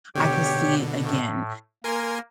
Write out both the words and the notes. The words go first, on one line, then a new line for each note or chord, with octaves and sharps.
I could see it again,
B2 D3 G4 C#5 G5
A2
A#3 A#4 G#5 C6